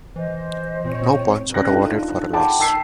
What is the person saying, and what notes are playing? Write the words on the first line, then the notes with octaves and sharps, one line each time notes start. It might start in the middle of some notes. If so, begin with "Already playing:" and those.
No points were awarded for a loss.
E3 C5 D#5
A#2 C4 C#5
C#4 D5 G5 F#6 A#6
D4 D#4 F4 A4
G#4 F#5 G5 A5 B5 D6
G5 A5 E6 B6 C7